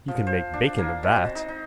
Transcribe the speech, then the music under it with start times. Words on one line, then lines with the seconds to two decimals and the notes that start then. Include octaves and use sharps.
You can make bacon of that.
0.08 F3
0.27 C5
0.53 D4
0.78 A#3
1.03 B2
1.16 C4
1.35 D#4
1.48 D#4